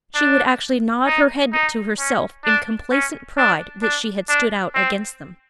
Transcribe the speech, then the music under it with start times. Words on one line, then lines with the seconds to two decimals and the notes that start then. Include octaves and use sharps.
She would actually nod her head to herself in complacent pride that she had stood out against them.
0.15 D4
1.07 D#4
1.53 D#4
1.99 C#4
2.45 D4
2.91 C#4
3.38 D4
3.83 D4
4.29 D4
4.75 C4